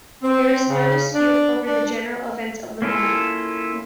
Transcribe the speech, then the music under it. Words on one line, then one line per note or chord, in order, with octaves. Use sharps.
There is no dispute over the general events of the moment.
C4
C#3
D4
D4
A#3 C#4 E4 F4 A4